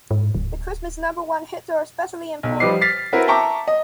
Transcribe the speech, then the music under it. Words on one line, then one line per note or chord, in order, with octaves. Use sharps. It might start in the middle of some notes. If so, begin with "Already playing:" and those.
The Christmas number one hits are especially important.
G#2
D1
B1
F3 G3 D#4 B4 D6 C7
F6 A6 B6 C7
C4 E4 F#4 A#4 B4
E5 G5 A5 A#5 C#6 D6
D#5